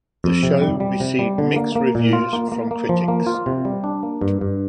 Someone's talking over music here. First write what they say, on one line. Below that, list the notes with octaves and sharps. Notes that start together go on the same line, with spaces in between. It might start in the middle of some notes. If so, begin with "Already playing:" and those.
The show received mixed reviews from critics.
F2
C3
G3
G3
C3
G3
D3
A#3
A#3
A#2
F4
A#3
A#3
A#3
F3
A#3
F4
C3
G3
D4
A#3
G2
G2